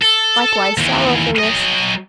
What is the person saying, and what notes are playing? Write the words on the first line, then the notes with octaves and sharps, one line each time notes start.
Likewise sorrowfulness!
A4
D#2 E3
F#3 D#5